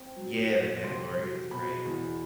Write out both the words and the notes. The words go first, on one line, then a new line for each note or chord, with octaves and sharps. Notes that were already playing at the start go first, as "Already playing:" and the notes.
Yeah, The Mandalorian is great.
Already playing: C4
F#3
A#2
C3 C6
F#3
B2 B5
E2